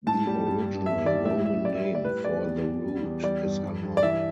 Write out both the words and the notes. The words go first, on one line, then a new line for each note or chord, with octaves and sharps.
The original Roman name for the route is unknown.
A2 A5
G3
G2
G2
E2 E5
G3 D5
A2 E5
G3 E5
G3 D5
E5
G3
D5
A2 B4
G3 D5
E2
E2
G3
E2
G3 D5
G2
G2
G2
D5
E3 E5